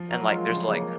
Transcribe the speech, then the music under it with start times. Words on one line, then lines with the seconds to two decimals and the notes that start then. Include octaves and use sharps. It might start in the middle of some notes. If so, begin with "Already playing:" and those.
and, like, there's like
Already playing: F3
0.09 F#3 A#4
0.29 G#3 F4
0.50 C#3 F3
0.69 A#3